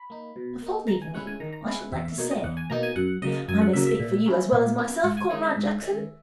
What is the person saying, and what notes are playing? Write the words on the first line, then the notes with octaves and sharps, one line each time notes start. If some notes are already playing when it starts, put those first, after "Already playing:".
Before leaving you, I should like to say--I may speak for you as well as myself, Comrade Jackson--?'
Already playing: B5
A#3 D#4
B2
A#3 D#4
D#3 A#5
G#5
G#3 C#4 E4 F#5
G#5
D#3 A#5
A#5
G#3 C#4 E4
F#5
E2 E5
E5
B2 A#3 D#4 C#5
D#5
E2 F#5
G#5
B2 A#3 D#4 A#5
G#5
F#2 F#5
C#3 F#3 A#3 D#5
F#2 G#5
F#5
C#3 F#3 A#3 E5
E5
A#2
A#3 C#4 E4
A#2
A#3 C#4 E4
G#2 F#5
G#5
D#3 G#3 C#4 G#5
E5
G#2
D#3 G#3 C#4